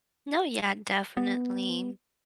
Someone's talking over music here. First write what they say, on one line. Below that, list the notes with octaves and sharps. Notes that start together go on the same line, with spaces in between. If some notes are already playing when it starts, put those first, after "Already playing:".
No, yeah, definitely.
B3